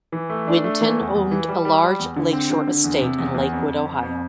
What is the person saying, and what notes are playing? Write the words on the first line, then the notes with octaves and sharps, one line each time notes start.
Winton owned a large lakeshore estate in Lakewood, Ohio.
E3
A3
D4
A3
E3
E2
E2
E3
G3
G3
G3
E2
D3
C4
D3
D3
E2
C3
E2
E2
F2
F2
F2
F2